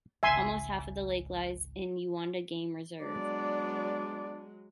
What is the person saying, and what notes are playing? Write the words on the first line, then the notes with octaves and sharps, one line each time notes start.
Almost half of the lake lies in Uwanda Game Reserve.
G#1 C#2 E5 G#5 C6
F#3 G#3 B3 D4 D5